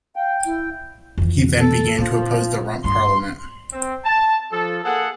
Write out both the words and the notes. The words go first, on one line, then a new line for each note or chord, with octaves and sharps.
He then began to oppose the Rump Parliament.
F5 G5
E4
F2 E3
A4
A#2 F3 C4
G2 D4 C6
C4
A5
F3 A4
A#3 G#4 A4 F#5